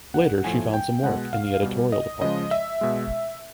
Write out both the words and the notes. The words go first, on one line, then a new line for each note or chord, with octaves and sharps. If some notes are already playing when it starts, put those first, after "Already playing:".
Later she found some work in the editorial department.
F#5
A2 F3 A3 G#5
G5
B2 G#3 F#5
F5
B2 G3
D#5
C#3 F3 G#3 D#5
E5
B2 G#3